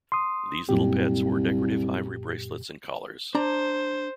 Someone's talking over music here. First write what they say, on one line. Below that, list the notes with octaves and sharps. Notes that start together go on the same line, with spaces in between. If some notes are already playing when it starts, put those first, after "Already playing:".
These little pets wore decorative ivory bracelets and collars.
C6 D#6
C2 F#2 A#2 G4
D4 C5 A#5